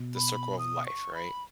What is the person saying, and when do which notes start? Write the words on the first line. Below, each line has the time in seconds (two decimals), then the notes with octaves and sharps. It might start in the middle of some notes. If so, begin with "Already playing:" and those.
the circle of life, right?
Already playing: B2
0.16 B5
0.58 D#6
0.86 C#6
1.14 B5